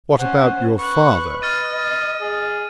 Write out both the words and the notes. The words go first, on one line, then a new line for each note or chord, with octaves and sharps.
"What about your father?"
C#4 C5 F#5
B4 C#6 F#6
D#5 F6 A6 D#7
G#4